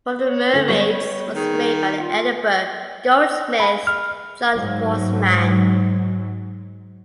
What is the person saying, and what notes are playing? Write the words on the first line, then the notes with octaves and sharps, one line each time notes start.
One of the mermaids was made by the Edinburgh goldsmith John Mosman.
C#5
D3 A3
G3 B3 C#5 C#6
D#3 G#4
F4
B5
F6
G#2 F#3